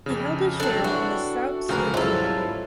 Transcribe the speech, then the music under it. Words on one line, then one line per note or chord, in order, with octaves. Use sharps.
He held shares in the South Sea Company.
F2 C#3
F#3 C4 D4 A4 D5
E3 D4 F#4
D2 C#3 F3 C4 A#4 B4
F2 G#2 F#3 G3 E4 F4 A4